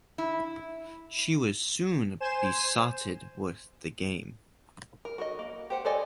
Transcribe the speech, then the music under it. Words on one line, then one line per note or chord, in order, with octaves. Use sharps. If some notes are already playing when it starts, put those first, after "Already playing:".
She was soon besotted with the game.
E4
C5 G#5 E7
A#4
F#4 A#4 D#5
A#3
G4 C5 F#5
A4 C5 D5 D#5 G#5